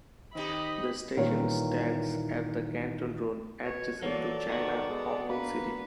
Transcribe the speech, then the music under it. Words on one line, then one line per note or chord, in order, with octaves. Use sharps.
The station stands at the Canton Road, adjacent to China Hong Kong City.
D#3 C4 D#4 G4 D#5 B5
A#2 D#3 E3 G3 C#4 C#5
B2 C#5
E3 F#3 A#3 A4 D5
D#3 B3 F#4
G#3
A#3 D4 B4